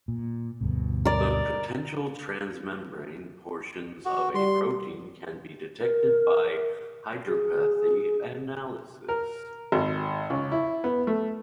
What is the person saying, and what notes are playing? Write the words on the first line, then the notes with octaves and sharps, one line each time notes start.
The potential transmembrane portions of a protein can be detected by hydropathy analysis.
A#2
D2 G2 B2
A#4 D5
F#4
G3 C6
A#4
G#4
A#4
G#1
C#2
E4
B3
A3